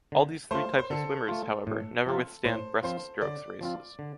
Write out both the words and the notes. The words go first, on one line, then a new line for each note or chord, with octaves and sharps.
All these three types of swimmers, however, never withstand breaststrokes races.
D3
A3 F4 C5
C5
D3 A4
A3 F4
A2
F3 C4 F4
A2 C5
F3 C4 F4 C5
D3 D5
F3 C4 F4
D3